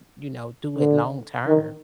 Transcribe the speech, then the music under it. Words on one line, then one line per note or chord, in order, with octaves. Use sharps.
you know, do it long term.
D3
D#3